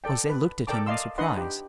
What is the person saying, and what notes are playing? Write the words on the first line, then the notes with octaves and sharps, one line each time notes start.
Jose looked at him in surprise.
A4 D5 G5
B4
A4 A#4 D5 G5 A5 D6
D5 D#5 F5 C6 E6
D4 D#4 B4 D#5 F#5 C6
G4